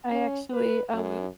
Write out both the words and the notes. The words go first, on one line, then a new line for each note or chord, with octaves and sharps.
I actually, um,
C#4
B4
F#2